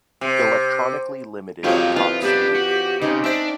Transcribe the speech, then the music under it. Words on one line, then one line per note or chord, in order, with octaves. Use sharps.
Electronically limited top speed.
C3
F2 C#3 F3 F#3 F4 G4 C#5
E4 F4 B4 F5
B3 D4 G4
F#4
C#3 C4 C#4 D#4
D4 C5 E5